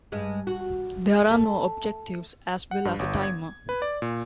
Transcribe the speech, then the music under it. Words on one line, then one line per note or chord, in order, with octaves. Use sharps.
There are no objectives, as well as a timer.
G2 G#3
F#4
A3
F#5
G2
G1
G#6
B4
D5
A#2